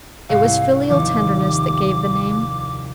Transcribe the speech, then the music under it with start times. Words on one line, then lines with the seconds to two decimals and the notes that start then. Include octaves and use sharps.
It was filial tenderness that gave the name.
0.29 C2 G#2 C3 F5
0.90 D#2 D#3 F3 D6